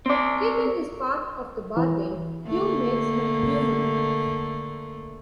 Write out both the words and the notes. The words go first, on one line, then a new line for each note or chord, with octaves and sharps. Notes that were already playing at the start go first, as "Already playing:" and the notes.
Keeping his part of the bargain, Q makes him human.
C4 D5
E3
D3 A3 A#3